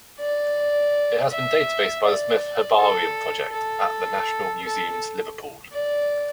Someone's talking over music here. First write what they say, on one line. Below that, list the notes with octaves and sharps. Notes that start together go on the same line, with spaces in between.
It has been databased by the Smith Herbarium Project at the National Museums Liverpool.
D5
E5
D5
A4
A4
A4
D5